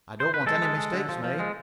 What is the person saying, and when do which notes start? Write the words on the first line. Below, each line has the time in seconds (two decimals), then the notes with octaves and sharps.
I don't want any mistake made.
0.20 C5
0.34 B4
0.46 G#3 A4
0.62 G#3
0.77 G#3
0.93 D3
1.09 F3
1.24 F3
1.39 G#3